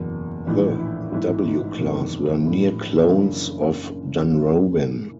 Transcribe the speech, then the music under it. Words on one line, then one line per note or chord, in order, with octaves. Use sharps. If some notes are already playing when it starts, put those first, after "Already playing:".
The W class were near-clones of "Dunrobin".
Already playing: F#1 E2 B2
A#1 A2 E3 D#4
E4
A1 G#2 E3 E4
D#4
F#1 E2 C3 D#3
A#1 A2 E3
F#1 F#2 C#3 E3 D4